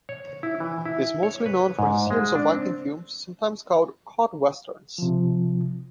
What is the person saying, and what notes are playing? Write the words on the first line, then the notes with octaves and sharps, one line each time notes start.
He is mostly known for his series of Viking films, sometimes called "Cod Westerns".
C#5
E4
E3
E4
C#5
B4
G#2
G#3
D4
C4
C3 F3